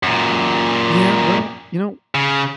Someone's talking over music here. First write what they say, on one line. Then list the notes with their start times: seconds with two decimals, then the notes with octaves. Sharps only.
Yeah. Well, you know,
0.03 F#2 A#2
2.15 C#3